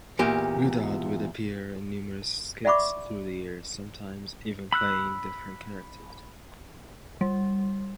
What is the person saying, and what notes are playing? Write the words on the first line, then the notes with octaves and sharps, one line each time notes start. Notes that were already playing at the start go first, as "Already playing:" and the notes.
Goddard would appear in numerous skits through the years, sometimes even playing different characters.
E2 A#2 G4
D5 E5 F#5 B5 C#6 D6
B5 E6 F#6
G3